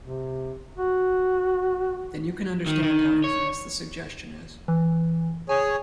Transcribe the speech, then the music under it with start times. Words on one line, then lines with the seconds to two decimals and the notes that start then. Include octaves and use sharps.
Then you can understand how infamous the suggestion is.
0.05 C3
0.78 F#4
2.66 D#3
2.83 D#3
3.24 C#5
4.68 E3
5.49 G#4 C#5 G#5